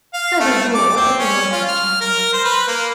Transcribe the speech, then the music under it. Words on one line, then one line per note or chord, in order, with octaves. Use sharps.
"Clever boy!", the Wardeness chimed in.
F5
A3
D6
C4
C#4
F4
F6
A#4
C5
B4
A#3